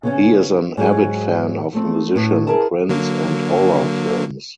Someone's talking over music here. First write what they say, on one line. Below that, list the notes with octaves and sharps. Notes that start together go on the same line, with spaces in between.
He is an avid fan of musician Prince and horror films.
C#3 B3 C#4
G#2 F#3 G#4
F3 A3 C4
A2 B4
G#4 A#4 E5 A5
D3 F#3 A#3